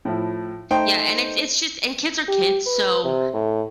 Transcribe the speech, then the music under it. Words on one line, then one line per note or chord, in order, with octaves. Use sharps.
yeah, and it's it's just a kids are kids, so,
A2 F3 E4
A3 D#4 C5 G5
G4
B4
C3
A2